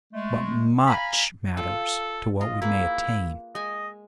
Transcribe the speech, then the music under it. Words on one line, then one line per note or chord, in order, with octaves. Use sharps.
But much matters to what we may attain.
G#3 A3
F5 G#5 A#5 B5
F4 A4
F4 D#5
A#3 E4 G#4 B4
G#3 D#5 G#5